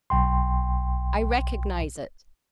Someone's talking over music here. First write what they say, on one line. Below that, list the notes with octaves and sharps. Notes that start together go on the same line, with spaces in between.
"I recognize it!"
B1 G5 C6